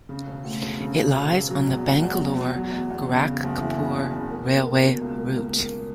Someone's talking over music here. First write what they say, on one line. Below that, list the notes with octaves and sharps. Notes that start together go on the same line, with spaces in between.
It lies on the Bangalore - Gorakhpur railway route.
C#3
E1
D2
E1
C#3
E1
E1
E1
F#3
E2
E2
E2
F#3
F#3
F#3
E2
E2
C#3
C#3
F#1
E3
E2
C#3
C#3
A#3
B2
A#3
B2
C#2
A#3
A#3
A#3